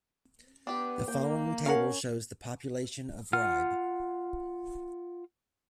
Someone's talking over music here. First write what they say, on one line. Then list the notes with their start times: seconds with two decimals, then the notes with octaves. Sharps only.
The following table shows the population of Ribe.
0.67 B3 D4 G4
1.08 A#3 G5
1.66 C#4 A#4 F5 F#5
3.33 F4 F#5 F6